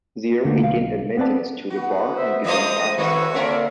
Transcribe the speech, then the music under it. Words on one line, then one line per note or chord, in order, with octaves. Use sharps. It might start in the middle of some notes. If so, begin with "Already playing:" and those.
There he gained admittance to the bar and began practicing law.
D3 A3 A#3
B1 F5
B3 C4 B4 D5 A5
B3 F#4
C5 E5
E3 G#3 A3 C5 D#5 F5 D#6
D#3 A3 C4 F#4 B4 C#5
D3 A#3 C4 C#4 A#4 E5